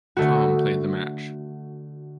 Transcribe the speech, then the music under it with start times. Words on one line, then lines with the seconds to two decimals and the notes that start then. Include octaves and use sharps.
Thom played the match.
0.17 D3 A3 F#4